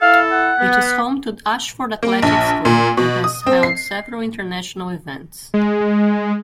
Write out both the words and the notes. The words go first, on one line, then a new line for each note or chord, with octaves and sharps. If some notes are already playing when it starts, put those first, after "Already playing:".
It is home to Ashford Athletics Club, and has held several international events.
E4 A4 F5
F#5
B3
A#3
A#1
A#2
B2
D#6
C4
C7
G#3